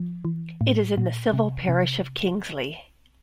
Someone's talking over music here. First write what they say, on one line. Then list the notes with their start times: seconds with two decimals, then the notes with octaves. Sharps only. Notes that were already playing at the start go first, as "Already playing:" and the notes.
It is in the civil parish of Kingsey.
Already playing: F3
0.25 E3
0.61 A2
0.97 A#2
1.33 C3
1.69 C3